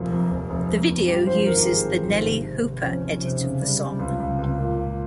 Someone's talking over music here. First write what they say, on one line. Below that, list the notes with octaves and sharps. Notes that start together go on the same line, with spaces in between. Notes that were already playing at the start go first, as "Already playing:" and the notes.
The video uses the Nellee Hooper edit of the song.
Already playing: F1 A#2
F2
F1
F1
F1
F1
G2 G4
F3 C5
G#1 A#4
G4
F3 G#4
F3
G#1
C3
C3
C3
F2 C#4
F2
C3
C#3
G3
G3
C#2
C#2
C#2
A#2
A#2